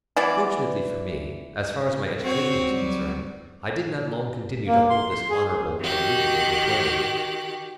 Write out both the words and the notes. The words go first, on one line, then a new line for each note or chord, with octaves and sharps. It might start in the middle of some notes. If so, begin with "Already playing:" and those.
Fortunately for me, as far as my education was concerned, I did not long continue to hold this honourable and lucrative employment.
E3 B3 D5
C4 F#4 C#5
F#3 G3
A#3
C6
C6
G#4
D#3 F#4 G4 F#6